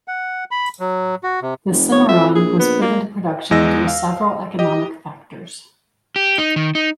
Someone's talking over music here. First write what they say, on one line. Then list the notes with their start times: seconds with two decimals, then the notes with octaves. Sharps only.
The Cimarron was put into production due to several economic factors.
0.08 F#5
0.51 B5
0.80 F#3
1.23 F#4
1.42 C3
1.71 F1
1.92 C#5
2.09 F2 E5
2.35 A#1 G#4
2.59 B3
2.81 A#3
3.51 E2 G#3 D#5 E6 A#6
3.87 F5
4.59 G4 D#5
6.16 G4
6.38 D#4
6.56 D#3
6.75 D#4